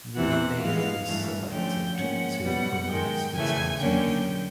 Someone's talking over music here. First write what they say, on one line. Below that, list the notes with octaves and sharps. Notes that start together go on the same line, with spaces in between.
The name was selected to promote the town's industry.
E2 C3 E3 F#5
G#2 E3 G#3 B3 F5
G2 E3 A3
D3 F3 A3 C#4 G5
G#2 F3 A#3 C#4 F#5
B2 G3 B3 F#5
G#2 D#3 G#3 G5
C#3 E3 A3 G#5
D3 F#3 A#3 C#4 G5